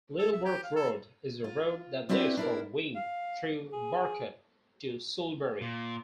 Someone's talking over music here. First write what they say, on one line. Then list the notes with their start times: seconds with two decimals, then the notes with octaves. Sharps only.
Littleworth Road is the road that leads from Wing through Burcott to Soulbury.
0.19 A4
0.33 E5
0.45 G4
0.64 F5
0.76 A4
1.44 F4
2.09 B3 C4 D4 E4 F#4 G4
2.37 D4 E4 A#4
2.95 F5
3.73 G#4
5.62 A#2